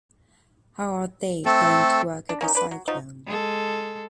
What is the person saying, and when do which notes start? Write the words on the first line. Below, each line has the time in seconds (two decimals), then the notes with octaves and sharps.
How are "they" going to work up a cyclone?
1.46 A3 C4 A4
2.29 D4
2.41 A#3 C#4 D#4
2.55 D4 B4
2.71 F#3
2.88 F3 F#3 D#4
3.26 G#3 A4